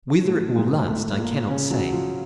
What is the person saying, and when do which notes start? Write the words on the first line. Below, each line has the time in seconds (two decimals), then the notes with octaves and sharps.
"Whether it will last I cannot say."
0.25 A2 A3
0.55 G#2 G#3
0.87 A2 A3
1.19 A#2 A#3
1.49 C#3 C#4
1.70 F#3 F#4
1.92 F3 F4